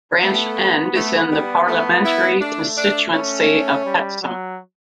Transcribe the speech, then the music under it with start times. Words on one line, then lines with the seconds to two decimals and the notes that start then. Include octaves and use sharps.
Branch End is in the parliamentary constituency of Hexham.
0.22 A3 B3
0.95 A3
1.31 G3
1.68 A3
2.04 E4
2.40 A3 D4
2.77 D4
3.13 C#4
3.85 G3
4.22 F#3